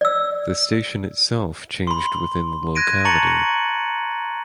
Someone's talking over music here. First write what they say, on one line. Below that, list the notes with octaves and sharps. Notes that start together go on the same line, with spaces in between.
The station itself changed within the locality.
D5 E6
B5 C6
F#6 G#6 A#6 D7 D#7
A5 A#5 C#6 A6 C#7 F#7